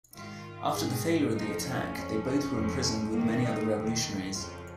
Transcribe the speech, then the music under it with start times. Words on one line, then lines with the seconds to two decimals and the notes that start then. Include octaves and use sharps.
After the failure of the attack, they both were imprisoned with many other revolutionaries.
0.13 G#2 D#3 F4
0.73 G#2 D#3 G#4
1.33 F3 D#4
1.38 F2
1.63 C#4
1.92 F2 F3
2.53 F2 F3
3.12 G#2 D#3 A#3
3.42 D#4
3.73 F2 D#3
4.33 F2 C#3 F3 F4